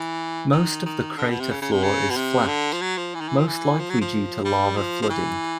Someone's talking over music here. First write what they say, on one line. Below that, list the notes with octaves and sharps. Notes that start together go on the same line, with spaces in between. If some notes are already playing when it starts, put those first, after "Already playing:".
Most of the crater floor is flat, most likely due to lava flooding.
Already playing: E3
D#3
D#3
D3
B2
C3
C#3
C#3
C3
C#3
B2
C3
D3
F3
F#3
F3
E3
D#3
E3
F3
E3
F3
F#3
F3
G3
F3
F3
E3